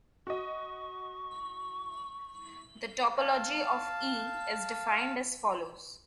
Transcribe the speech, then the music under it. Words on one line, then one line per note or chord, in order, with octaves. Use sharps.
The topology of "E" is defined as follows.
F#4 D#5 C#6
F5 A5